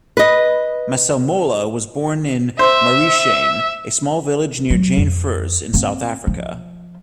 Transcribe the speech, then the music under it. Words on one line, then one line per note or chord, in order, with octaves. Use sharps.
Masemola was born in Marishane, a small village near Jane Furse, in South Africa.
B4 D#5
C5 E5
F#3
F2
A#3 C4
F3